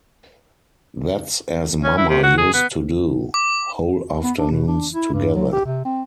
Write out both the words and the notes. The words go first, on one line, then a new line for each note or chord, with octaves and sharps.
That’s as mamma used to do, whole afternoons together.
C#4
E4
C3
F#4
G#4
B3
D6
B3
D4
B2
D4
E4
G2
F#3
G4
C3
C4